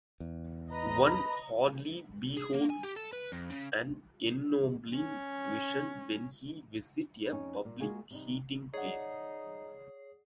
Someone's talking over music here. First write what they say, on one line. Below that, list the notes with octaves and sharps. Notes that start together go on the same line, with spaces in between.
One hardly beholds an ennobling vision when he visits a public eating-place.
E2
B4 D#5 A#5
B5
G#4
A#3
G#5
G4
A4
B4
F2
C#3
C#4
F2 C#4 D#4
A#2
G#3 A#3 F4 F#4 G#4
C3 G3 D#4
D#4 G#4 C#5 D5 F#5